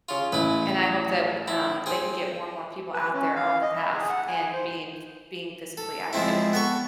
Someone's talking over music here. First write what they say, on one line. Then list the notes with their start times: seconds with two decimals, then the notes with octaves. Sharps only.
And I hope that, um, they can get more and more people out there on the path and being, ph being physically active.
0.09 C#3 F4
0.32 A1 E4 B4
1.48 E4
1.86 C4 G#4
2.94 B4
3.13 C#4
3.36 F5
3.62 D#5
3.76 E5
3.94 G#4
4.09 F#5
4.27 G#5
4.53 C5
5.77 A4
6.13 F3 G#3 C4 E4
6.53 B3 A4 C#6